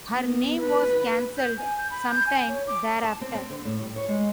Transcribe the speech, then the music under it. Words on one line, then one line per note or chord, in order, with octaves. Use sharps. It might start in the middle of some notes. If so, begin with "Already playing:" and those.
Her name was canceled sometime thereafter.
B3
B4
G6
G#5
G6
B5
G6
G#5
C#5
D6
A5
C4
C4
D3
A2
G3
C#5
G#3